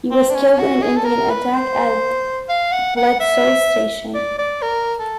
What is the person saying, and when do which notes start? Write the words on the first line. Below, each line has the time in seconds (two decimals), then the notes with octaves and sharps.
He was killed in an Indian attack at Bledsoe's Station.
0.11 C4
0.29 D4
0.35 C#4
0.59 F#4
0.82 G#4
0.96 A4
1.05 A#4
1.29 B4
1.54 C5
2.49 F5
2.72 F#5
2.97 F#5
3.20 E5
4.14 D5
4.38 D5
4.62 A#4
4.99 A4